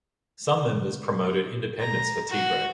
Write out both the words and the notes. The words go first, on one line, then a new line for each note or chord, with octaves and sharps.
Some members promoted independence for Tigray.
A#5
F#4